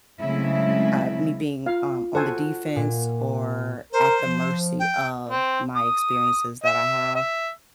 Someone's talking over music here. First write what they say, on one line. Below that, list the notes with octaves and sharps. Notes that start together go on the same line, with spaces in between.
uh, me being, um, on the defense or at the mercy of my experiences that I have,
C#3 F#3 G#3 A3 C4 E4
F4 F5
F#4 A4 C5 G#5
A#2
A#4 C5
F3
G5
C4
D#6
E5
E5